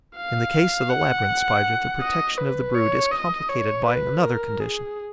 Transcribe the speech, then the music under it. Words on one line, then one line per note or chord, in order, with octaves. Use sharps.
In the case of the Labyrinth Spider, the protection of the brood is complicated by another condition.
F5
F#5
D#5
B4
C#5
D#5
C#5
B4
A#4
G#4